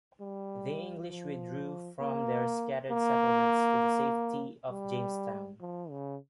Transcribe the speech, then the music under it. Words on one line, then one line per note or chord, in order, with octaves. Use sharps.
The English withdrew from their scattered settlements to the safety of Jamestown.
G3
F3
A#3
A#3
G3
F3
C#3